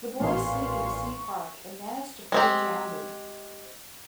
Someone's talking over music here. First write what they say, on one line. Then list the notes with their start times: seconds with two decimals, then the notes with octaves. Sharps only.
The boys sneak into Sea Park and manage to free Jambu.
0.20 A1 A#2 E3 B3 F5 C6 C#6
2.32 G#3 C4 G4